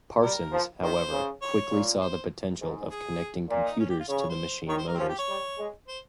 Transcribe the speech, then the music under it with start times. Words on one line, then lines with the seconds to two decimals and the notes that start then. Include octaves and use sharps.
Parsons, however, quickly saw the potential of connecting computers to the machine motors.
0.22 G3 A#4
0.52 F3
0.81 D#3 C5
1.12 C#3
1.42 C#5
1.71 A#2
2.01 C5
2.60 G#2
2.91 G#4
3.50 A#2
3.64 D#4
3.80 C#4
3.89 G4
4.00 F4
4.09 C#3 C#5
4.19 C#5
4.29 C5
4.68 D#3 C#5
4.78 C5
4.88 A#4
4.95 C4
4.98 F3 C#4
5.08 G4
5.19 C#5
5.28 G3
5.58 G#3
5.88 C5